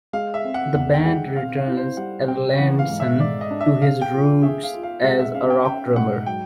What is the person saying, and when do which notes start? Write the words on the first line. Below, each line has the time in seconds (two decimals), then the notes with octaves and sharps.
The band returns Erlandsson to his roots as a rock drummer.
0.13 G#3 F5
0.34 E5
0.45 C4
0.54 F#5
0.75 E2 F#5
0.94 G5
1.05 G#3 F#5
1.36 C4 F5
1.57 F5
1.67 E4
1.77 C5
1.97 G3 F#5
2.28 C4 G5
2.58 E3 F#5
2.79 F5
2.90 G#2
3.00 E5
3.20 G#2 D5
3.41 D#5
3.51 D4
3.61 E5
3.81 G#4 F5
4.02 G5
4.12 F4
4.42 G#4 E5
4.63 F5
4.74 F4
4.83 F5
5.04 G#3 F#5
5.19 E5
5.34 C#4 F5
5.50 G5
5.65 C#4 G5
5.96 G#2 F#5
6.26 F#3 G5